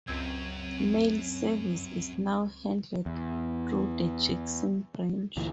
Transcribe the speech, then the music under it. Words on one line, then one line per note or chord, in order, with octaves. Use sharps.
Mail service is now handled through the Jackson branch.
C#2 F#2 C4 G#6
E2
D2 A#2 E3